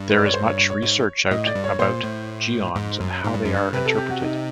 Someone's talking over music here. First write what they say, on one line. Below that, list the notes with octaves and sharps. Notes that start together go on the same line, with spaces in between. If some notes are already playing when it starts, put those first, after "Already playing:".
There is much research out about geons and how they are interpreted.
Already playing: G2
B4
D5
C#5
C5
C#5
C#5
C#5
G#2
A2 D#5
D5
G2
C#5
A#2 C5
A2
G#2
F#2
G#2
G2
F#2
G2
C3 B4
A4
G4
F#4
D#4